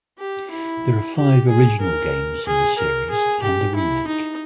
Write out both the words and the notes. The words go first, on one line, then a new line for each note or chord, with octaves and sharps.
There are five original games in the series, and a remake.
G4
E4
G4
G#4
A#4
G#4
A#4
G#4
G4
E4
D#4